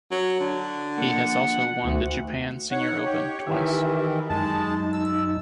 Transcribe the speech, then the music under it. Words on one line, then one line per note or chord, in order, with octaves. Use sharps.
He has also won the Japan Senior Open twice.
F#3
D3
F3 A#3 F#5
D2 D#3
D#4 C#5 F#5
G4 C#5
D#3 E3 G4 E5
F#2 G#3 D#4 A5
E6